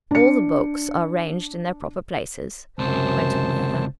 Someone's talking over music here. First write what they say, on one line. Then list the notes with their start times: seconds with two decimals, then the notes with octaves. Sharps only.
"All the books are ranged in their proper places," went on the other.
0.11 D4 C#7
2.79 C#2 F#2 C3 C5 A5